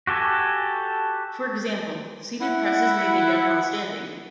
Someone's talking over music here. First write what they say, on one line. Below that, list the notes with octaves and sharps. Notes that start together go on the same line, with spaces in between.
For example, seated presses may be done while standing.
F#4 G4 A4 G#5
E4 F#5